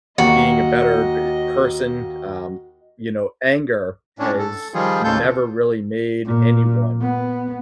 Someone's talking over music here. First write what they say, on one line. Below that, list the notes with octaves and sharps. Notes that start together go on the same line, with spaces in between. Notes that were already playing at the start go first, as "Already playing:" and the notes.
being a better, eh, person, um, you know, anger has never really made anyone
D#2 A#3 F#4 D#5
A2 C#4 D4
A4
D#3 F3 G3 F4 G#4
D#2 C#3 F4 A4 G6
A#2
B3